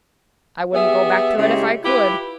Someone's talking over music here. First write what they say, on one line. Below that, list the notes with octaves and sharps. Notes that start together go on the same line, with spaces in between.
I wouldn't go back to it if I could.
B3 G4 G#4 E5
C#3 G#3 A3 E4 G4
E4 F4 G4 B4